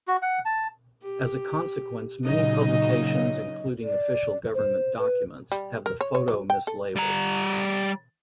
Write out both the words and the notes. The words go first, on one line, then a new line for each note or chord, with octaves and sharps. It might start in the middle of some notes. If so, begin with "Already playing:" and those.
As a consequence many publications including official government documents have the photo mislabeled.
F#4
F#5
A5
G4
A#2 C#3 F#3 D#4 D#5
D5
C5
B4
G3
A#4
C#5
C#5
F#3
G5
A4
G3 A#5